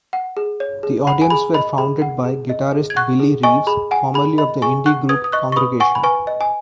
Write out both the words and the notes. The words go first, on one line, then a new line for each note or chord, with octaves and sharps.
Theaudience were founded by guitarist Billy Reeves, formerly of the indie group Congregation.
F#5
G#4
C#5
G#4
F#5 B5
G#5
G#4 B5
D#5 B5
G#4 B5
F#5
G#4
D#5
G#4
G#6
F#5 C#6 F#6
G#4
D#5 G#5 C#6
G#4 B5
F#5 G#5
G#4 B5
D#5 B5
G#4 G#5 C#6
F#5 C#6 F#6
B4 D#6 G#6
D#6
D#5 C#6 F#6
C#6
B4 B5 D#6
F#5 G#5 C#6
B5
B4 G#5 C#6
D#5
G#5